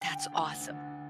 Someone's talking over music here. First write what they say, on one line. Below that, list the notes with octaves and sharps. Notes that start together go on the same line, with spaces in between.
That's awesome.
D3 G5
D2
D3